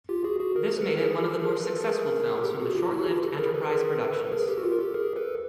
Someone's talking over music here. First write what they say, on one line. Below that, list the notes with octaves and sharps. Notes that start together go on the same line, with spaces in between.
This made it one of the more successful films from the short-lived Enterprise Productions.
F4 G4
F#4 G#4
F#4 G#4
G#4 A#4
A4 B4
G#4 A#4
G4 A4
G#4 A#4
A4 B4
A4
G#4 A#4
A#4
G4 A4
F#4 G#4
F4 G4
E4 F#4
G#4
F4 G4
G4 A4
G#4 A#4
A4 B4
G#4 A#4
A4 B4
B4
G#4 A#4
G4 A4
F#4
F4 G4
A#4
G4 A4
G#4 A#4
A4 B4